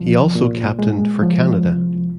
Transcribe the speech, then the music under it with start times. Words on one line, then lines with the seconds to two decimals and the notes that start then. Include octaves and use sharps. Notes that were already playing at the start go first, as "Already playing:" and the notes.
He also captained for Canada.
Already playing: C2 F3
0.35 A#2
0.79 G#3
1.22 F3
1.66 C2